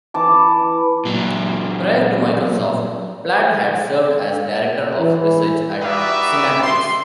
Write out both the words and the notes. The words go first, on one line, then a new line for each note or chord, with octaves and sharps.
Prior to Microsoft, Platt had served as Director of Research at Synaptics.
E3 A5 D6
A#2 F#3
E3
D#4 F#4 G4 B4 D5 E5
C6